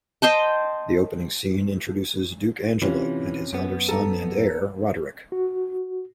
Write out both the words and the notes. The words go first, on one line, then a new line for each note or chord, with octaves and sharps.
The opening scene introduces Duke Angelo and his elder son and heir, Roderick.
C5 D#5 G5 A5
C3 E3 C#4 F4
F#2 B3
A4 A#5
F#4